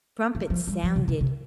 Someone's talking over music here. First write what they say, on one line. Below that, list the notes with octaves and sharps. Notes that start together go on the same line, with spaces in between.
Trumpets sounded.
E3
F3
G3
F3
C3
C3
C3